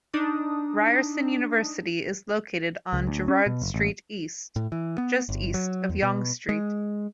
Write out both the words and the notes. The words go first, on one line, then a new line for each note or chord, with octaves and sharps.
Ryerson University is located on Gerrard Street East just east of Yonge Street.
D4 D#4 D#6
C#2
D2
C#4
B2
F#1
A1
A2
E3
B3
G1
F#3
E2
B2
G#3